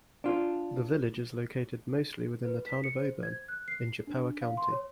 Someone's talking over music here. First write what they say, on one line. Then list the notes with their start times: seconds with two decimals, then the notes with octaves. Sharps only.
The village is located mostly within the Town of Auburn in Chippewa County.
0.24 D4 F4
2.45 B4
2.66 B6
2.84 C#7
2.99 C5
3.23 G#6
3.48 F#6
3.68 C7
4.07 D4
4.42 F5
4.57 C6
4.72 C#5